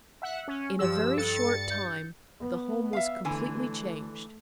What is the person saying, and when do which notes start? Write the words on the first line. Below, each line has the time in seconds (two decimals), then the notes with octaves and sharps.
In a very short time the Home was completely changed.
0.22 E5 F#5
0.48 C#4
0.79 G2 F3 G4 E6
1.17 G2 A4 A6 C#7
1.70 G6
2.40 B3
2.93 E5 F5
3.25 D3 E3 A3 G#5